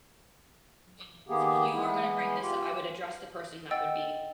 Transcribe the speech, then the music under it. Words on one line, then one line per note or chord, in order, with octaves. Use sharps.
well if you are gonna to bring this up" I would address the person that would be
D#3 A#3 B3 G4 G#4
E3 G#3 B3 E4
F4 G4
D#5 F#5 G5 E6 A6